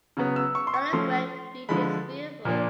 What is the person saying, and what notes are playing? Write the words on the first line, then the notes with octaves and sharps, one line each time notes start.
Calanguate beach is beautiful.
C#3 F#3 B3
E6
C#6
C6
C#6
F3 A3 C#4 C6
D3 F3 G#3 B5
A#2 F3 A#3 D4